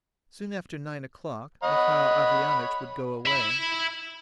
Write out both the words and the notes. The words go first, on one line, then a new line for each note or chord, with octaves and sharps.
Soon after nine o'clock Mihail Averyanitch would go away.
C#5 D#5 F#5 B5
E5 B5